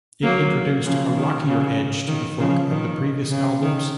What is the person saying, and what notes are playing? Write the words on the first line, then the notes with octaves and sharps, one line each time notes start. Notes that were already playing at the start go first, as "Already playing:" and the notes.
It introduced a rockier edge to the folk of the previous albums.
F#3 A#3
C#3 F3
D#3
C#3
D#3
C#3 F3
D#3
C#3
D#3